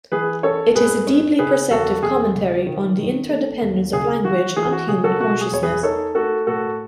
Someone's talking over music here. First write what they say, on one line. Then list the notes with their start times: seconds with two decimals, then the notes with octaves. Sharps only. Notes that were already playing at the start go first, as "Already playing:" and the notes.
It is a deeply perceptive commentary on the interdependence of language and human consciousness.
0.12 E3 G#4 B4
0.43 C#4 A4 C#5
0.75 G#2 G#4 B4
1.07 C#4
1.39 C#3 G#4 B4
1.71 E2 F#4 A4
2.02 E2 G#4
2.35 C#3
2.66 D#3
2.98 D#3
3.30 A3
3.62 D#2
3.93 C#3 G#4
4.25 E3 F#4
4.56 E3 G#4
4.73 F#4
4.88 C#3 G#4
5.04 F#4 A4
5.20 B2 F#4
5.41 G#4
5.52 E2 C#5
5.63 G#4 B4
5.83 D#4 A4 C#5
6.15 A3 F#4 A4
6.47 A2 F#4 A4